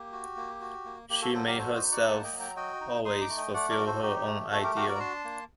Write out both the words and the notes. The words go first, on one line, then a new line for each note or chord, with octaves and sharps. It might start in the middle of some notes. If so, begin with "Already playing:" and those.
She made herself always fulfill her own ideal.
Already playing: A#3 G4
F#4
A#3
F#4
A#3
A#3 G4
F#4 A4
F#3 A4 C5
G4 A#4
F#4 A4 C5
C5 D#5
D#4
D5 F#5
A#3 F#5 A5
D#5 G5
F#3
G5 A#5
F#4 D#5 G5
D#4
D#4 C6 D#6
A#5 D6
A3
D#5 G5
A3 D5 F#5
A#4 D5
F#4
A4 C5
D#4 G4
A3
A3 F#4 A4
G4 A#4
F#4 G4 A#4
A#4 D5
A#5
D4 A5 C6
A#3